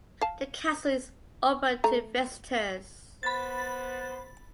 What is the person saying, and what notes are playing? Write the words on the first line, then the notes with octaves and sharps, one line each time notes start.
The castle is open to visitors.
F5 A5
A3 A#5
B3 C5 B5 A6